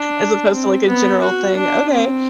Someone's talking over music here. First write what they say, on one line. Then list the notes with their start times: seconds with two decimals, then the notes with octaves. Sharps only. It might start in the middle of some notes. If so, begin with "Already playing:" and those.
as opposed to, like, a general thing. Okay,
Already playing: D4
0.53 C4
0.88 B3
1.23 F#4
1.57 D4
1.91 C4